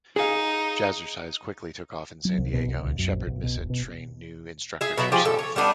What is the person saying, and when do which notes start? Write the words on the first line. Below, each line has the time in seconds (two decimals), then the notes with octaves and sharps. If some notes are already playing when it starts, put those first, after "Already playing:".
Jazzercise quickly took off in San Diego and Sheppard Missett trained new instructors herself.
0.16 D#4 G#4 F5
2.25 F#3
2.38 C2
2.53 B2
2.68 C2
2.82 D2
2.99 F#2
3.13 A#1
3.27 B1
3.43 B2
3.56 D#1
3.70 B2
4.81 G#4 E5
4.98 B2 F#3 E5
5.12 F3 G4 G#4
5.25 A4
5.39 C#5
5.56 G3 B3 D4 D#4